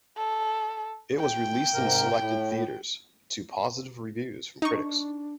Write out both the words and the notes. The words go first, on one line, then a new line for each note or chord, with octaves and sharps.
It was released in selected theaters, to positive reviews from critics.
A4
G5
G#2 C3 A#4
A2
D4 D#4 C#6